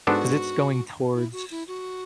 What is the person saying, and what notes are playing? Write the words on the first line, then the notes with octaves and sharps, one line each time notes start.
'Cause it's going towards
G#2 G#3 B3 D4 F#4 A4
E4
F#4
E4
F#4